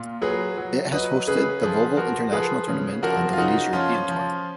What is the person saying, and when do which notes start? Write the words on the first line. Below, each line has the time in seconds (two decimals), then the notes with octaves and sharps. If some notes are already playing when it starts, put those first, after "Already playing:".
It has hosted the Volvo International Tournament on the Ladies European Tour.
Already playing: A#2 F4
0.22 F#3 G#4 B4
0.58 F#3
0.92 F#3 B4 D#5
1.28 C#3 G#4 B4
1.62 F3 G#4 B4
1.97 F3 F#4 A#4
2.32 F3 G#4 B4
2.68 C#3
3.03 F3 F#4 A#4
3.33 F4
3.37 C#3 D#4 F#4
3.73 F3 C#4 F4
4.09 F3